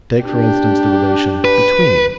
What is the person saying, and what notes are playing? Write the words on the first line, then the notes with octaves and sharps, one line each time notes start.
Take, for instance, the relation 'between'.
D4 G4
B4